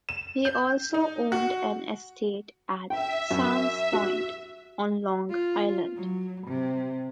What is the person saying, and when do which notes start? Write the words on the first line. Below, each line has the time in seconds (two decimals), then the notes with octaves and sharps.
He also owned an estate at Sands Point on Long Island.
0.09 E7
0.45 G6
0.94 D#4
1.32 F#4
2.90 E5 G5
3.31 F#2
3.93 F#4
5.30 F4
5.96 F#3
6.47 C3